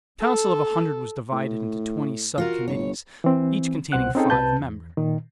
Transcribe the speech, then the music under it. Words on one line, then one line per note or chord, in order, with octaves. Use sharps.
The council of a hundred was divided into twenty subcommittees, each containing five members.
A4
A2
F4 F#4 A#4
G1 C#5
E3 C4
C2 B2 C5 F#5 F#6
C4 C#4 D#4 G#4 A4 G5
C2 C3 B4 A5 G6
E2
A#2 D#3